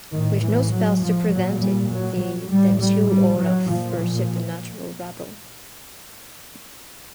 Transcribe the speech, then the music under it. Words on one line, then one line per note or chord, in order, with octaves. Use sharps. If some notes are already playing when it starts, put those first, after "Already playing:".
With no spells to prevent it, they then slew all of her supernatural rabble.
A2 D#3
E3
F#3
F3
A#2 F#3
G3
F#3
F#3
A2 G3
G3
G3
F#3
A#2 F3
F3